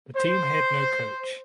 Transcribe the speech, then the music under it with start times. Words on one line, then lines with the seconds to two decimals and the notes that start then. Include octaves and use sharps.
The team had no coach.
0.16 C5